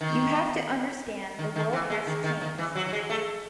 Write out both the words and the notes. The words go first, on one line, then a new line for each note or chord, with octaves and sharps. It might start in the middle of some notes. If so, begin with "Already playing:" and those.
You have to understand the world has changed.
D#3
D#3
D#3
E3
G#3
D#3
D#3
D#3
E3
F#3
F#3
G#3
A3